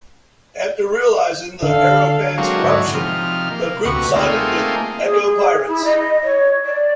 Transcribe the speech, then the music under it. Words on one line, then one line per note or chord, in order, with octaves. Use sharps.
After realizing the Aeropan's corruption, the group sided with the Eco Pirates.
D3 A4 F5
F#3 G#3 C4 D4 F#4 A#4
G#2 D3 E4 F#4 C#5
C3 F3 D#4 F6
A#3
D2 C3 F#4 B4 C#6
A3 A#3 C4 D#4 F4 G#4
G#4
E4
D#5
C#5
D5